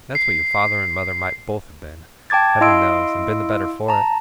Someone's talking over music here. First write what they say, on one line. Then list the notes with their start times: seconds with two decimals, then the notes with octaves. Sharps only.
That's what your father and mother might both have been, Heaven knows, and been the better for it.'
0.15 C7
2.30 G5 A5 D6 G#6 A6
2.61 E4 D#5 F5 C6 E6 D7
3.88 A5 A#5